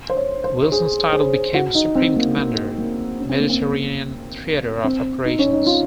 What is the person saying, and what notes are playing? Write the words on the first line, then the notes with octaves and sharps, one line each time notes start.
Wilson's title became Supreme Commander, Mediterranean Theatre of Operations.
C5
C#5
C5
G#4
G#4
F#4
D#4
C4
A#3
A#3
A#3
C#4
C4
A#3
C4
C4
D#4
C#4
D#4
F4